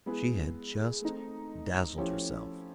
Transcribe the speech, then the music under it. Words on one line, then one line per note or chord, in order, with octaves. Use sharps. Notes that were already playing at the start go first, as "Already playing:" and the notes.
She had just dazzled herself.
G#3 B3 E4 G#4 B4
A3 C4 D#4
F3 A3 C#4 E4 G4